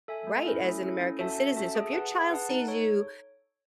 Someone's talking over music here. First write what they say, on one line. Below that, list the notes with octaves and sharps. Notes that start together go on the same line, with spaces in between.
right as an American citizen. So, if your child sees you,
A4 E5 G#5
A3
C#4 E4 A4
A3
C#4 E4 A4
C#4
F#4 A4 E5 A5
C#4
F#4 A4 E5 A5
G#4
B4 F#5 A5
G#4
B4 F#5 A5
D#4
A4 C#5